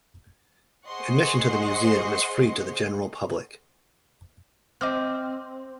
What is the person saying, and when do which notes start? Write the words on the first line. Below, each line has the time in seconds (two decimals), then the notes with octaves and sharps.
Admission to the museum is free to the general public.
0.87 G#4 C5 D#5 F#5 C6 C#6
4.81 C4 D#5 D6 F6